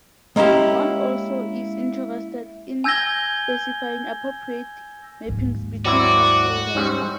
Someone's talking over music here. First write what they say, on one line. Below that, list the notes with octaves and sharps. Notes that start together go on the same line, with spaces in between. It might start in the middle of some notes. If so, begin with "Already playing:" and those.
One also is interested in specifying appropriate mappings between such orders.
G#3 A#3 C#4 E4 G4
G#5 E6 G6 G#6 A#6 G7
D#2 G#2
F#3 C4 E4 F#4 D5
G#2 G3 C4 C#4